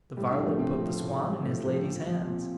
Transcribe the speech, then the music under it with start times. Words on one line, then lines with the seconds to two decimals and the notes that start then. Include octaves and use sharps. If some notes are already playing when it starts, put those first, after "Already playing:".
The varlet put the swan in his lady's hands.
0.17 A2 G3 G4
0.31 D3 D4
0.38 F3
0.45 A3
0.59 A2 C3 C4
0.80 F3
1.01 A2
1.22 F3
1.43 A2
1.64 F3
1.86 A#2
2.06 F3
2.27 A#2